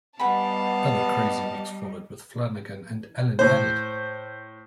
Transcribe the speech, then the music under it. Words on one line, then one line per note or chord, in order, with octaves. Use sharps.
Other Crazy Weeks followed with Flanagan and Allen added.
G3 B3 D#5 F5 F#5 G#5 A5 B5
A2 C5